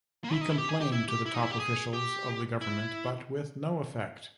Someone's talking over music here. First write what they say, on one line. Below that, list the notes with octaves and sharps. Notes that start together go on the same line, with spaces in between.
He complained to the top officials of the government but with no effect.
A#3
E4
D#4
E4
G4
G#4
G4
E4
G4
E4
D#4
E4
G4
G#4
G4
E4